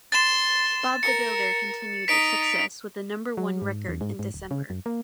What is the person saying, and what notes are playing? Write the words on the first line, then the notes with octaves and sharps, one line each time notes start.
Bob the Builder continued its success with the number one record in December.
C6 A6 E7
A#4 C#7
D#4 B6 D7 F7
F#3
G#2
E2
G#2
G#2
D1
C#3
F#2
A#3